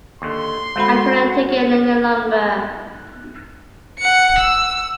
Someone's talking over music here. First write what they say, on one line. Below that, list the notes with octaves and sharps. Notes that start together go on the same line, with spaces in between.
I couldn't take it any longer.
D#2 D3 C6
G#3 A3 C4 F#4 B5
F#5 C#7
E6